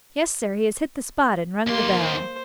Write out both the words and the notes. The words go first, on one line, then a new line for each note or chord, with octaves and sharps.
Yes, Sir, he has hit the spot and rung the bell.
D#2 A#3 G4 C6
C5